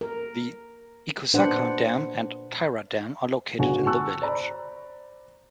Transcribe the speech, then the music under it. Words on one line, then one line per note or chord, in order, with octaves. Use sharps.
The Ikusaka Dam and Taira Dam are located in the village.
A#4
A#2 D4 B4 C5 F#5
G1 C#2 F#4 G#5
G#5 A5 C#6 E6 F#6
C5 D5 A#5 B5